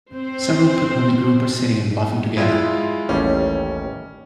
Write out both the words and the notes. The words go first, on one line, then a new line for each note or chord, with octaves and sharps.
Several people in a group are sitting and laughing together.
C4 C5
G#3 E4 F4
A1 D#2 G3 C#4